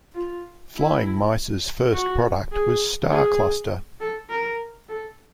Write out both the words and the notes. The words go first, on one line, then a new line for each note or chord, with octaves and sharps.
Flying Mice's first product was StarCluster.
F4
E4
F#4
G#4
G#4
A4
A#4
A4